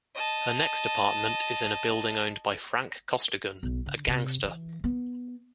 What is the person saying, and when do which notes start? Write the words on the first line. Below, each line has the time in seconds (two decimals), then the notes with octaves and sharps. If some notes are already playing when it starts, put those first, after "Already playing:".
Her next apartment is in a building owned by Frank Costigan, a gangster.
0.15 D#5 A5
3.63 B1
3.86 D3
4.08 C3
4.43 E3
4.84 B3